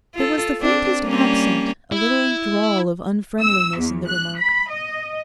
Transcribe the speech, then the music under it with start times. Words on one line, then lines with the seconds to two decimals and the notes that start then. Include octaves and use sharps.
There was the faintest accent, a little drawl of unfriendliness in the remark.
0.15 F4 A4
0.60 C4 D4
1.03 G3 A#3 C#4
1.92 E4
3.41 E6
3.77 E2
4.08 F#6
4.37 B5
4.70 D#5